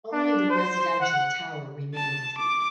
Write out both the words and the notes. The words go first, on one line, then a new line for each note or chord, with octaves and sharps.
Only the residential tower remained.
D4
C5
F#5
A5
D6